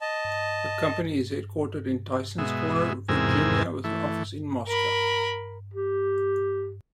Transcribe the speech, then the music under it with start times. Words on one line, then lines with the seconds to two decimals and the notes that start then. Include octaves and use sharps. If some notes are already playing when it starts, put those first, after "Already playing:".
The company is headquartered in Tysons Corner, Virginia with an office in Moscow.
0.01 D#5 A5
2.38 B2 G#3 E5
3.08 E2 G#2 C3 A#4 G#5 E6
3.84 E3 A3
4.67 A#4 B5
5.74 G4